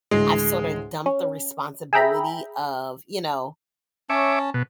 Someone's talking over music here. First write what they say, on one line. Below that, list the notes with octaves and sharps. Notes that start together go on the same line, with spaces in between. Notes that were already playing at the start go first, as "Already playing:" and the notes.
I've sort of dumped the responsibility of, you know,
D2 A2 G#3 G#4 C6
C#4
G#4 E5 G5 A#5 B5
C#4 C#5 E5 A5 D6
B2